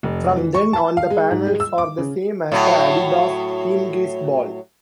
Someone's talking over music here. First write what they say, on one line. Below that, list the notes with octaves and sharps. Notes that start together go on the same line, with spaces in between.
From then on the panels are the same as the Adidas Teamgeist ball.
F1
E3
C#6
A5
F5
G#3
G#2
G#3
E6
D6
C#3
A2 F#3